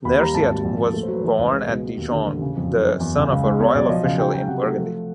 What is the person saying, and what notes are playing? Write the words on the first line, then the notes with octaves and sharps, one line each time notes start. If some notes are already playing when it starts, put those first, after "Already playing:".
Nerciat was born at Dijon, the son of a royal official in Burgundy.
D#2 B5
G3 A#5
G#1 A5
G#1
A#1
A#1
A3
C5
F#3
B4
E3 C5
C#2 B4
G#3 B4
B2
B3
D#2
D3
A1
C#3
F2
F#2
F#2
E2
C#3
C#2
G#3
B3 C#5
B1 D5
F3 D#5
C#3 F5
F#3 G5
F#3 G5
C3 F#5
A3
F3